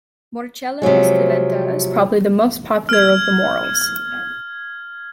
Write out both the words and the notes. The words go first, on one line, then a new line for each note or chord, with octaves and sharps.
"Morchella esculenta" is probably the most popular of the morels.
C3 F3 F#3 G#3
F6 G#6